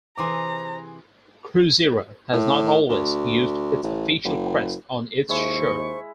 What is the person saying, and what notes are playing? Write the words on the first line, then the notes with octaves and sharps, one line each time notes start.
Cruzeiro has not always used its official crest on its shirt.
C3 E3 G#4 C5 A#5 C6 D6
A2
D2
A1
F#1
D#2 G#3 E4 C5 C#6